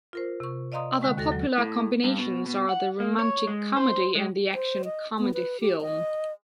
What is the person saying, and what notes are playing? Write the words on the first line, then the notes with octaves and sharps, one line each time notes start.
Other popular combinations are the romantic comedy and the action comedy film.
F4 A#4 C5
C3 C#6
D5 D#5 F5 A#5 C6 D#6
D3 G#3 C#6
D#2 F#4 A4 A#6
F#3
A2
G2
B2
B2
F#5
A#3
C#5
G#3
C5
G#3
C5
D#5
B3
B4
G4
D#5